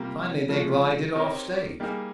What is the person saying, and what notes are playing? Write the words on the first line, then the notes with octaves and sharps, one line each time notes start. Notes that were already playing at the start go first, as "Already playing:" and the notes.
Finally they glided off stage.
Already playing: C3 G3 A#3 F4
C#3 F3 G#3
C4 D#4 G4 A#4 C#5
G3 A#3 D#4 G#4